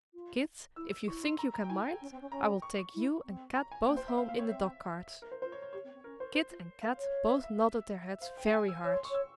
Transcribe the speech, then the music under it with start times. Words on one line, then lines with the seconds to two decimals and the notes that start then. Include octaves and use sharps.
"Kit, if you think you can mind, I will take you and Kat both home in the dog cart." Kit and Kat both nodded their heads very hard.
0.14 F4
0.76 E4 E6
0.91 E6
1.08 E4 C#6
1.23 C6
1.39 A#5
1.54 A#5
1.64 G5
1.69 E4 G#5
1.85 G5
2.01 C#4
2.11 C4
2.21 C#4
2.31 C#4 A#5
2.62 C#6
2.78 C#6
2.94 E4
3.25 C4
3.56 A#5
3.72 G#5
3.87 A#3 G5
3.97 C5
4.08 E5
4.18 C4 F5
4.29 A#3 F5
4.39 C4 C#5
4.49 C4 E5
5.22 A#4
5.31 C5
5.42 F4 C5
5.52 C#5
5.62 C#5
5.73 G4 C#5
5.84 C4
5.95 C4
6.04 C#4 A#4
6.20 C5
6.35 C5
6.50 F4
6.81 A#4 F5
6.97 C#5
7.29 E5
7.44 E5
8.21 C5 F5
8.37 G5
8.53 G#5
8.68 E6
8.84 C#5 E6
8.94 C6
9.05 C#6
9.10 C#5 E6